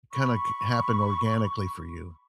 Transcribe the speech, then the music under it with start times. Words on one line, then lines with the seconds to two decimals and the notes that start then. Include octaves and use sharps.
kinda c happen organically for you?
0.12 B5 C#6